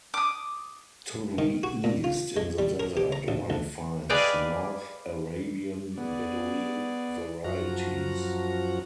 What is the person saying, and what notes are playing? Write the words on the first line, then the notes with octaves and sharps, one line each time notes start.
To the East, in the desert, one finds North Arabian Bedouin varieties.
D6 D#6
D#3
F#4
A#2
F4
G#3
G3
A#4
G4
A#5
A1
D2
G#4 B4 D5 D#5 F5 G5
B3 G#4 D5
F#2 F3 F#4 A#5